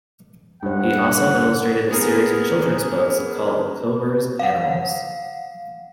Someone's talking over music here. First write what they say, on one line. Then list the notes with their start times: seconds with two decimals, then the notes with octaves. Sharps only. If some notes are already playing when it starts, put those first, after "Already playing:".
He also illustrated a series of children's books, called "Cober's Animals".
0.63 G2 C5 F#5
1.91 B3 G#4 A#4
4.39 F5 F#5